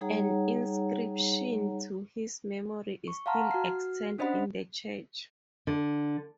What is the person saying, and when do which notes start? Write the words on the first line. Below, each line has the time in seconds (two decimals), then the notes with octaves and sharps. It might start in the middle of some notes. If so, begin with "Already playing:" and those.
An inscription to his memory is still extant in the church.
0.01 G3 D#4 G#4 C#5 F#5 A#5
3.08 C#6
3.26 F5 F#5 A5 A#5 C6 F6
3.51 F#4 F6 C7
4.18 C#4 D4 C5 D#5 F#5 B5
5.67 D3